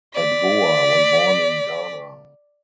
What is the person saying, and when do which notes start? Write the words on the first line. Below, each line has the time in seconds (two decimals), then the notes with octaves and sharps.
Adwoa was born in Ghana.
0.15 D5 B6